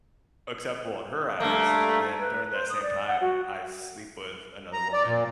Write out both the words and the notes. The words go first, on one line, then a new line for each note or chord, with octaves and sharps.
acceptable in her eyes, then during that same time, I sleep with another woman,
G2 A3 A#3
B4
C5
D#6
D5
F#5
F#4
A#5
D5
A#2